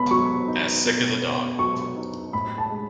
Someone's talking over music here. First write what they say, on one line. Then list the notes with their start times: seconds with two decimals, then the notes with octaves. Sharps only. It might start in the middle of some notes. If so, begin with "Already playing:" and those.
As sick as a dog.
Already playing: B2 B3 B5
0.11 F#3 C#6
0.48 D#4
0.85 B2
1.22 B3
1.59 F#3 C#6
1.97 D#4
2.33 A2 B5
2.58 A5
2.70 G#3